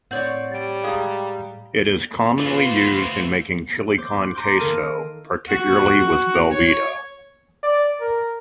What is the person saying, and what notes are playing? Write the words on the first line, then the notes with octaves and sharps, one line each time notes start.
It is commonly used in making chili con queso, particularly with Velveeta.
A2 C4 C#5 D5 F#5 G6 F#7
G3 A6 D7
G#3 G#4 F5 G5 A#5
A3 F4 F#4 B4 C5
C5 D6 G6
F#6
A5 A#5 C6 D6 G6
D#3 A#3 A4 A#4 D7 D#7
F#4
C#5
D5
A#4